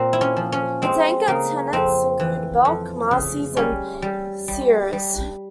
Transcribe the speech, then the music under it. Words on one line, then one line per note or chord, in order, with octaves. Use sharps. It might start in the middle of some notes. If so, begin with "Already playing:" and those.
Its anchor tenants include Belk, Macy's, and Sears.
Already playing: A#2 C4
E4
C#4
F3
C#4
G#3 C4
C#3 A#3
F2 C4
E3
F2
C#3
G3 C#4
G3
G3
G3